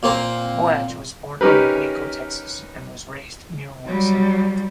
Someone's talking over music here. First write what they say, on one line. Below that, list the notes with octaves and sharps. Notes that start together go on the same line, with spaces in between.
Poage was born in Waco, Texas and was raised near Woodson.
A#2 A#3 C4
C#4 D#4 G4 A#4 B4
F#3 G3